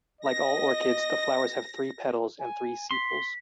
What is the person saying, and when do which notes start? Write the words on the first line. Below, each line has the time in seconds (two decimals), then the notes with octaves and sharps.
Like all orchids the flowers have three petals and three sepals.
0.21 D#5 A#6
2.39 G#5
2.91 C6 B6